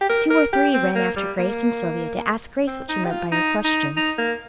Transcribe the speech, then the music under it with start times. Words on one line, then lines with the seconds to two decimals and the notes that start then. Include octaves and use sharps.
Two or three ran after Grace and Sylvia to ask Grace what she meant by her question.
0.01 G4
0.09 A#4
0.30 A#4
0.53 G4
0.74 C4
0.95 A#3
1.16 G3
1.38 A#3
2.67 C4
2.89 D#4
3.05 G4
3.11 F4
3.32 D#4
3.64 D#4
3.97 D#4
4.18 A#3